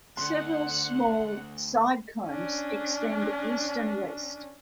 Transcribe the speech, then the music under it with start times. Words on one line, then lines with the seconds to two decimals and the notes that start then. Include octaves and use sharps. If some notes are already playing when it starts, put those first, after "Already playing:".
Several small side combes extend east and west.
0.17 D2 D3 F#5 C6
2.27 C#4 D4